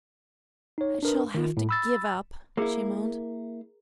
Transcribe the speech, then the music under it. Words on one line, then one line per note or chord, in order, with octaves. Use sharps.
"I shall have to give up!" she moaned.
D#4 C#5
D4 A#4 B4
D#3 F4
A2
B5 E6 A6
A#3 E4 G#4 A#4 A#5